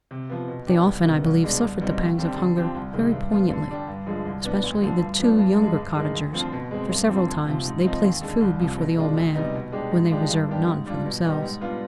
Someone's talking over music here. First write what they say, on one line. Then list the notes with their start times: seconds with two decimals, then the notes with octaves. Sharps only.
They often, I believe, suffered the pangs of hunger very poignantly, especially the two younger cottagers, for several times they placed food before the old man when they reserved none for themselves.
0.11 C3
0.30 F3 B3
0.48 B2
0.67 B3 D4 G4
0.86 C2
1.05 C3 D#3 B3
1.24 C2
1.43 B2 G#3 D4
1.61 C2
1.80 B2 G3 C4 D#4
1.98 D#2
2.18 D3 G3 C4 G4
2.37 D3
2.56 F3 C4 G4
2.74 C2
2.93 C3 D#3 G#3
3.12 G2
3.31 F3 B3 F4
3.50 D3
3.69 G3 D4 G4
3.88 G2
4.06 D3 F3 G#3
4.25 C2
4.44 B2 B3 D4
4.63 D2
4.82 D3 F3
5.01 G2
5.19 F3 B3 D4
5.38 G2
5.57 D3
5.62 G#3
5.76 G2
5.95 D#3 G#3
6.14 D2
6.33 D3 F3 C4 F4
6.52 B2
6.71 G#3 C4
6.90 G2
7.08 D3 F3 C4
7.27 D2
7.46 C3 F3
7.65 G#2
7.84 F3 C4 D#4
8.02 D#2
8.21 D3 G#3
8.41 C2
8.59 C3 F3
8.78 B2
8.96 G#3 D4 F4
9.17 D2
9.35 C3 G3 B3 D#4
9.54 B2
9.72 G#3 D4 G4
9.92 G#2
10.10 F3 G#3 D4 G4
10.29 G2
10.48 D#3 B3 D4 G4
10.67 G#2
10.86 G3 D4 F4
11.05 B2
11.24 G3 B3 D#4 G4
11.42 G#2
11.61 G3 B3 D4 F4